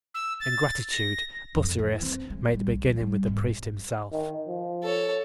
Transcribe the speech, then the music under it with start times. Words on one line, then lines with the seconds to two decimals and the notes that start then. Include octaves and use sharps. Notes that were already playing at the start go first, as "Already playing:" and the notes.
In gratitude Busiris made a beginning with the priest himself.
0.14 E6
0.40 A6
0.92 A#6
1.55 F2
1.79 E3
2.02 C4
2.30 G#3
2.54 G3
2.68 B1
2.84 F3
3.00 G3
3.27 G#1
4.12 D#3
4.47 F3
4.83 A4 C#5